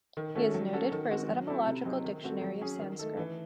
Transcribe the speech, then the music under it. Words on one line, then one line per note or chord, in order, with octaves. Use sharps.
He is noted for his etymological dictionary of Sanskrit.
D#3
A3 C#4 F#4 A4
F#3
C#4 F#4 A4
D#3
G#3 C4 F#4
F#3
C4 E4 A4
C3
F#3 C4 D#4 G#4
D#3
A3 C4 F#4 A4
F#3
C#4 G#4
D#3
A3 D#4 A4
E3